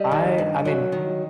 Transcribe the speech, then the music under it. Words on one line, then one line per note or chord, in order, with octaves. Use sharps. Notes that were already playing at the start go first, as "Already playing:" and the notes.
I I mean, w
Already playing: G3 D#5
D#3
G2
F#3
D#3